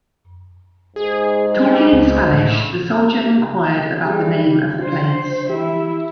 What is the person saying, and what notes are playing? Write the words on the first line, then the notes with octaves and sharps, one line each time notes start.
Talking in Spanish, the soldier inquired about the name of the place.
G#2 G#4
G3
C#2
A2
G3 G4 G#4
C#3
C#3 D4 C5
E3 E4 G4 E5